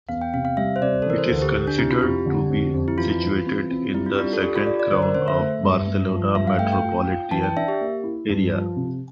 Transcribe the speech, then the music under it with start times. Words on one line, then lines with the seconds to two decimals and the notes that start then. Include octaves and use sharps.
It is considered to be situated in the second crown of Barcelona metropolitan area.
0.09 E2 F5
0.21 G5
0.34 C3 F5
0.45 F5
0.57 G3 E5
0.76 C5
0.81 C3 D5
1.02 A4
1.06 E3 A#4
1.18 C5
1.29 D2 A4
1.42 G4
1.53 D2
1.67 D4
1.78 C3 E4
1.90 F4
2.02 F2 G4
2.26 D3
2.50 F2
2.74 F2
2.88 E4
2.98 E3 F4
3.23 E3
3.46 C4
3.70 C4
3.94 G3 E4
4.06 F4
4.15 G4
4.18 D4 F4
4.33 A4
4.43 D4 G4
4.55 F4
4.67 A4 D5
4.80 D5
4.91 D3 C5
5.02 A#4
5.15 D3 C5
5.28 E5
5.40 A3
5.63 G2
5.88 G2
6.11 F3
6.35 G2 E5
6.47 F5
6.59 A3 G5
6.72 G5
6.84 F4
7.07 F4
7.31 E3 A5
7.44 G5
7.56 D4 E5
7.68 G4
7.81 A#3
8.04 E4
8.29 G2
8.53 F3
8.76 C3